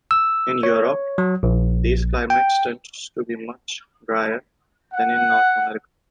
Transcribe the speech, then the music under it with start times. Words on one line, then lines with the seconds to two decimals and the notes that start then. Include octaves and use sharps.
In Europe, these climates tend to be much drier than in North America.
0.11 E6
0.63 C#5
1.18 F#3
1.43 A#1
2.30 G5
4.94 F#5